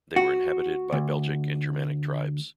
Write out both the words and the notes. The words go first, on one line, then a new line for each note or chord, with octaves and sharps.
They were inhabited by Belgic and Germanic tribes.
F#4
D2